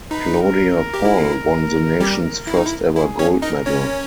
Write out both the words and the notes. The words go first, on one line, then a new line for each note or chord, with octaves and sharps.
Claudia Poll won the nation's first ever gold medal.
D#4 B4
A#4
A#4
G4
E4
G3 G4
E4
D#4
E4
E4 G#4
C#4 C#5
D#4 A#4 D#5
C#4 C#5